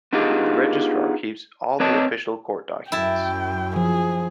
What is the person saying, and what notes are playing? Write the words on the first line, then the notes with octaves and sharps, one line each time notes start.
The registrar keeps all the official court documents.
B3 D4 D#4 F4 G4 G#4
C4 B4 C#5 D#5 G5 A5
F#2 E4 G5 A5
F3 G#4